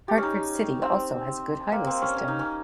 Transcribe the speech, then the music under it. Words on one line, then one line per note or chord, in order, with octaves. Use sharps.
Hartford City also has a good highway system.
G4
C#4
D#4
C4
A#3
C4
C#4
C#4
D#4
C#4